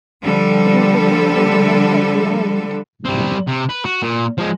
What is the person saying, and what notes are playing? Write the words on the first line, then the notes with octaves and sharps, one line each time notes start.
It is located in the west of the island.
D3 F3 G3 A4
G3 C4
C3
B4
F#4
A#2
F3 G#3